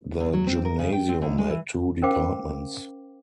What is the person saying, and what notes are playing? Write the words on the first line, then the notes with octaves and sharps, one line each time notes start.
The Gymnasium had two departments.
E2
F#3
C4
A#4
C#3
G5
C4
D#2
G#3
E3
C#4 A#4 C5 F5 G5 D6